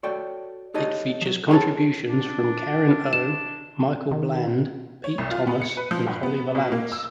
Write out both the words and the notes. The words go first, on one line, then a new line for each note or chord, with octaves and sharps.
It features contributions from Karen O, Michael Bland, Pete Thomas, and Holly Valance.
F#4 A4 C#5 D5 G5
D#4 G4 A4 C#5 D#5
F3 F#3
G#4 C#5 G#5 A5
D4
E7
D#3
C#5
C2
F4
B3
C#7
B4
F3
G2
B3
B2
A#3
E6